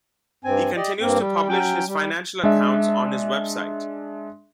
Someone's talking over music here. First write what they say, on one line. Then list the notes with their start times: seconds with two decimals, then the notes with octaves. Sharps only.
He continues to publish his financial accounts on his website.
0.45 G2 C4 G#5
0.76 G4 D5 D#5
1.00 G2 A#3 C4
1.19 G3
1.49 F#3 C#4 G5
1.87 G3
2.43 G#3 D4 E5